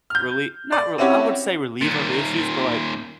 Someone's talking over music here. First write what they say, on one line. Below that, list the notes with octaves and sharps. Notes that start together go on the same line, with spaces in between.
really not real I wouldn't say relieve of issues, but, like,
F6 G6
D5
C4 C#4 E4 F#4 G4 C#5
D#2 A#2